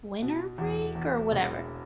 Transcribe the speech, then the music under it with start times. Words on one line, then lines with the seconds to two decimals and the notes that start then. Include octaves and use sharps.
winter break or whatever.
0.22 B2
0.58 E2
0.95 E2
1.32 E1